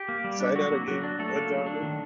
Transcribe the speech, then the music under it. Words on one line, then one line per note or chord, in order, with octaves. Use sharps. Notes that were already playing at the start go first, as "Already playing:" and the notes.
say that again. What did y'all do?
Already playing: G4
A#3
G3
D4
F#3 F#4
A#3
F#3 F#4
D4
F#3 A3 A4
A#3
F#3
D4
D#3